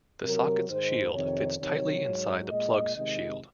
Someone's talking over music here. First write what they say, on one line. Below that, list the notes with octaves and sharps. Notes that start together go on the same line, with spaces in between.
The socket's shield fits tightly inside the plug's shield.
C3 F#3 A#4
G#2 D#3 G#3 C5
F2 C3 D#3 C#5
C3 D#3 F#3 C#5
G#2 F#3
A#2 G#3 D#5
C3 D#3 G#3 D#5